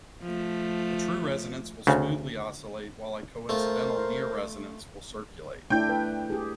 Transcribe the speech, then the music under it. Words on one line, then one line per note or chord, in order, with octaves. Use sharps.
A true resonance will smoothly oscillate while a coincidental near resonance will circulate.
F3 A3
D2 C#3
A3 F4 A#4 C5
A3 D4 E4 G5 G6
B4
G4 G#4